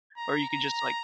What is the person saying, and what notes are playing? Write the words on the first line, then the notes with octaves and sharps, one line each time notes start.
Or you could just, like,
A#5
A#5